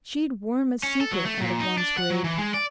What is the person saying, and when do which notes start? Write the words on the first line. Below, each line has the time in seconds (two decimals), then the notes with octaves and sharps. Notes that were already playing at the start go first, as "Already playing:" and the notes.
She'd worm a secret out of one's grave.'
0.83 C#4
1.01 A4
1.12 F#3
1.25 A3
1.41 A#2
1.60 D#4
1.78 D4
1.97 F#5
2.10 F#3
2.24 E3
2.38 G#3
2.54 D5